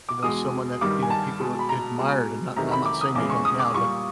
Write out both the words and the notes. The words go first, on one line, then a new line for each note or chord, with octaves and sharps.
you know, someone that, you know, people ad admired, and not I'm not saying they don't now, but
D6
E2 B2 G#3 D#6
G2 D#3 G3 D6
G#5
A5
B2 G#3
B5
A#5
B2 G#3
E2 C3 D#3 F#3 A3 A#5
B5
D6
D#6
E2 C#3 E3 G#3 D6
C#6
D#6
D6
A#2 G3 C#6